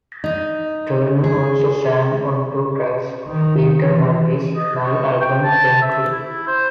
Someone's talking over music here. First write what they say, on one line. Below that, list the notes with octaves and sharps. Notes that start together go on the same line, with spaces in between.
Turner also sang on two tracks of Peter Mulvey's live album "Glencree".
D#4
G#4
D#3
E3
D#5
C#6
G5
A5
E5
E4
C5